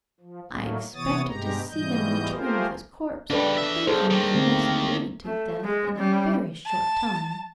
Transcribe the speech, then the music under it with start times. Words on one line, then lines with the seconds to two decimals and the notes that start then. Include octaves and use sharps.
I expected to see them return with his corpse, thinking he must bleed to death in a very short time.
0.20 F3
0.51 A2 D#3 F#3 A3 A#3
0.94 C3 E3 B3 C#5 D#6 A6
1.28 G2 B2 G#3 G4 A#5
1.71 G#2 B2 E3 G3 D#5 G6
2.32 A3 F4 G4 G#4 A#4 C5
3.30 C#3 G3 D4 A4 B4
3.58 E2 E5
3.87 B1 G#4 A4 C5
4.10 D#3 A#3
4.35 D3 A3 C4
5.24 A3
5.64 G#3
5.97 G3 C#4
6.66 A5